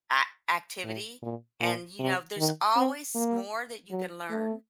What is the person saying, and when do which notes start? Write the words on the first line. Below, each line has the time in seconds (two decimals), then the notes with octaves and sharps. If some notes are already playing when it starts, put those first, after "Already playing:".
a activity and, you know, there's always s more that you can learn,
0.84 A2
1.23 A#2
1.61 A#2
1.99 C3
2.38 D#3
2.76 C4
3.15 A#3
3.91 F#3
4.30 A3